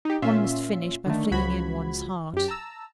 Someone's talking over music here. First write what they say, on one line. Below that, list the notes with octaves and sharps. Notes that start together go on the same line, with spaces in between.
One must finish by flinging in one's heart.
D#4 G4
A#2 C#4 F4 E5 C6
D3 D#3 A3
C#2 F3 F#4 B5 G#6
F#2 G4
A5 A#5 E6